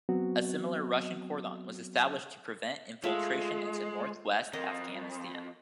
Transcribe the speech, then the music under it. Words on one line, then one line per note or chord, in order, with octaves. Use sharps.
A similar Russian Cordon was established to prevent infiltration into north-west Afghanistan.
F#3 B3 C4 F#4
G#3 A3 F4 E5
F2 A#4 D#5